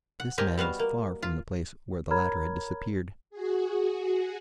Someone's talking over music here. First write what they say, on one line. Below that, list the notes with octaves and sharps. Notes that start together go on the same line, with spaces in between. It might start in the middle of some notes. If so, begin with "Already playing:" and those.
This man was far from the place where the latter had disappeared.
F#5
C4 G4 A#4 D#5 G#5
G3 B3 F#4 F5
A#3
F4
A#4 C#5 A#5 B5 F6 G#6
F#4 G#4